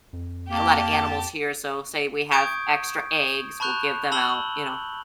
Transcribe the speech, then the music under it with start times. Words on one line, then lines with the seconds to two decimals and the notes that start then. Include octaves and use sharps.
a lotta animals here, so say we have extra eggs, we'll give them out, you know?
0.13 F2
0.49 A#3 G4 A5
2.32 C#6 D#6 G6 G#6 D7
3.60 A5 B5 C#6 F#6 G6 F7
4.12 A5 B5 E6 F#7 G7